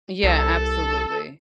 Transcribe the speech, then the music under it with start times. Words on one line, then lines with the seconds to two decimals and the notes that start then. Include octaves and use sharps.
Yeah, absolutely.
0.23 C2 A4